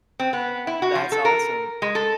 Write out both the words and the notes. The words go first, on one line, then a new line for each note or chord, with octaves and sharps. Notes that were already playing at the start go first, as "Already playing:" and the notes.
That's awesome.
C4
B3
E4
F#4
F3
A4
A#4
G#3
A4